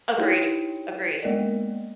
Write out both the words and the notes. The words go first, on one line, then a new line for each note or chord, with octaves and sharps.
Agreed. Agreed.
D#4 E4 G4 B4 C#5 G5
G#3 A#3 B3 A#4 D5 D#5